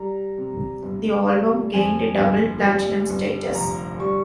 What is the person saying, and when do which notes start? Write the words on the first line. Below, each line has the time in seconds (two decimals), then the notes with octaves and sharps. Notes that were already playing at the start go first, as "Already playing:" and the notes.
The album gained double platinum status.
Already playing: G3 A#5
0.37 C3
0.83 G1
1.28 G3
1.73 F2 G#5
2.19 G1
2.64 G3
3.10 G1
3.55 F1 A#5
3.99 G3 C#6